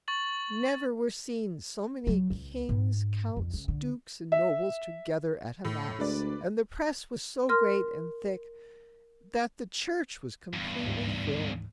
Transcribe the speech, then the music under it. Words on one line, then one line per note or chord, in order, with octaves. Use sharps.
Never were seen so many kings, counts, dukes, and nobles together at a Mass, and the press was so great and thick that the church was completely filled.
C#6 A6 F#7
F#3
C#2
G#2
F2
C#2
D3
E5
A2
D2 G#3 B4 D5
A#4 C6 F6
E2 G2
D2 G#2